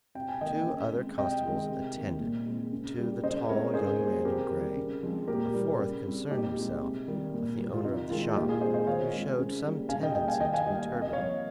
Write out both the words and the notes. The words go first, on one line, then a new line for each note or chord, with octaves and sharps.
Two other constables attended to the tall young man in grey; a fourth concerned himself with the owner of the shop, who showed some tendency to be turbulent.
C3 G5
G#5
D#3 A#3 D#5 G5
C#3
G#3 C4
C3 D#5 G5
D#3 G#3 C4
C3
D#3 A#3
A#2
G#3 C4
C#3
G3 A#3
C#3 C5 D#5
G#3 C4 A#4 C#5
C#3 G#4 C5
G3 A#3
C3 G4 A#4
D#3 G3
C#3
F3 G#3 C4
A#2 G4 A#4
G3 A#3
C#3
G3 C4
A#2 D#4 G4
G#3 C4
C3
D#3 G3
A#2
G3
A#3
F4
C3 D#4
D#3 G#3 C4 F4
A#2 D#4 G4
F4 G#4
G#3 C4 G#4 C5
C5 D#5
D#3 C#5 F5
G#3 C4
C#3
G3 A#3
C#3 F5 G#5
D#5 G5
G3 A#3 D#5 G5
F5 G#5
D#3 D#5 G5
F5 G#5
G3 A#3 D#5 G5
G5
C3 F5
D#5
C#5 F5
F3 A#3